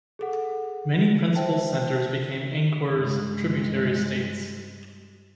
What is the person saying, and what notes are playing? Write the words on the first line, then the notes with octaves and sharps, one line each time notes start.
Many principal centers became Angkor's tributary states.
G#4 A4 F#5
C5 E5 G5 A5
G2 G#3